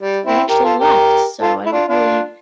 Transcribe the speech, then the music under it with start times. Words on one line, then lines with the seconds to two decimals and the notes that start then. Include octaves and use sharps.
we actually left, so I don't really
0.02 G3
0.26 C4 E4
0.49 G4 A#4
0.64 F4 A4
0.80 G4 A#4
1.41 F4 A4
1.66 E4
1.72 D4 F4
1.88 D4 F4